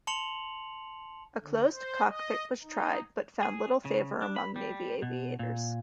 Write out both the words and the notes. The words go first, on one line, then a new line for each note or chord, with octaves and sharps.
A closed cockpit was tried but found little favor among Navy aviators.
A5 C6 C#7 F7 F#7
D3
C5
D#5
D#4
G#4
C#3
D4
B5
G3
B2
A#2